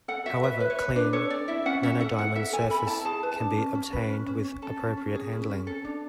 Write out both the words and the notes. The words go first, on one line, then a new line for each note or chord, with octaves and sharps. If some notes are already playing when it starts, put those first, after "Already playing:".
However, clean nanodiamond surface can be obtained with appropriate handling.
A4 F#5
F#4 E5
B4 E5
B4
C#5
B4
D4 B4
A4 C#5
D4 D5
E4 E5
C#4 F#5
C#4 E5
A4 F#5
E4 F#5
A4 E5
A4 G#5
A4 B5
E4 A5
G#4 A5
B4
A5
D4
C#4
C#4
B4
C#4
C#4
C#4
A4 A5
C#4
C#4
G#4
C#4
C#4
A4
D4